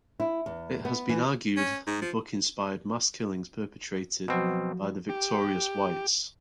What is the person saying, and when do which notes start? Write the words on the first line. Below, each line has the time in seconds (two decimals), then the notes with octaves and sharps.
It has been argued the book inspired mass killings perpetrated by the victorious Whites.
0.20 E4
0.46 E2
0.85 B3
1.09 E3
1.57 C#4
1.87 G#2
2.02 F3
4.28 B2 F3 F#3 C4 F#4
5.09 G4